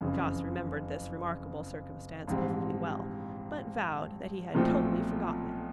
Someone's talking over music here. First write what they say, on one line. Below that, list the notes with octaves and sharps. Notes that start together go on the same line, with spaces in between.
Jos remembered this remarkable circumstance perfectly well, but vowed that he had totally forgotten it.
F#1 F2 C#3 E3
A#1 G#2 E3 G3 C4
B1 A#2 F3 A3 C4